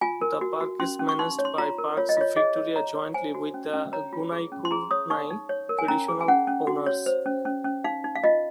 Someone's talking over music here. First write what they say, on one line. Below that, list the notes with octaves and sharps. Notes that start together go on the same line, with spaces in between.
The park is managed by Parks Victoria jointly with the Gunaikurnai Traditional Owners'.
F4 G#5
A#4
F#4
F#4
C#4 C6
C#4
C#6
D#4 C6
C#5
C6
F4 A#5
A#4
F4 C#5
D#5
F4 C#5
G#4 D#5
C#5
C#5 A#5
C#5
C5 G#5
F#4
C#4
C#4
C#5 A#5
F4
G#4
C#4
C6
G#4 A#5
C#5 D#6
D#4 C#6
D#4
C#5
A#4
G#5
C#4 A#5
G#4
G#5
C#4 F#5
C#4
F#4
C#5
C5
C#4
C#4
C#4
D#4 F5
D#4
F5
F4 D#5